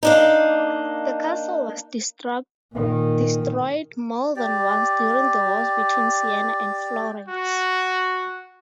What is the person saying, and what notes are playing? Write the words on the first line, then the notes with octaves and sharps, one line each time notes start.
The castle was destroyed more than once during the wars between Siena and Florence.
A#3 D4 D#4
A#2 D#3
G4 D5
F#4